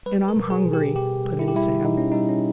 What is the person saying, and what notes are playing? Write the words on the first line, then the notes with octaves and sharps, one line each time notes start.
"And I'm hungry," put in Sam.
G3 B4
A#4
B2
G#4
B2
G4
B2 G4
G3
E4
G4
G3 E4
B2 D#4
C#4
D#4
G3
C#4